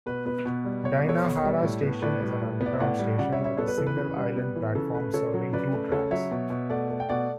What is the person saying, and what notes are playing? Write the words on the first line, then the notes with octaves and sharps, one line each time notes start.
Dainohara Station is an underground station with a single island platform serving two tracks.
B2 B4
B3 B4
B2 B4
G3
B2 C#5
D5
B3 A4 C#5
B2
G3
A2
B3
A2 B4 D5
G3
A2
B3
D5
E5
A2 D5 F#5
G3
C#3 D5 F#5
C#5 E5
G3
C#5 E5
B3 A4 C#5
B4
E3 A4
B4
C#3
G3
B3
E3
C#3 A4
A3 B4
C#3 A4 C#5
F#3
C#3 B4 D5
A3
C#3 A4 C#5
F#3 C#5 E5
B2
B2
A3 D5 F#5
A3
G5
B2 D5 F#5